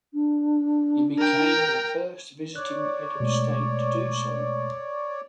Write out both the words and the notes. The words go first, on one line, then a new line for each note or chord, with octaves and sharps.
He became the first visiting head of state to do so.
D4
A#4 G5
C#5 D5 F#6
B2 G#3 A3